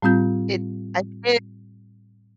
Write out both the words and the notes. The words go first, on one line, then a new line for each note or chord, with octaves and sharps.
It I did
A2 G3 C4 F4 G6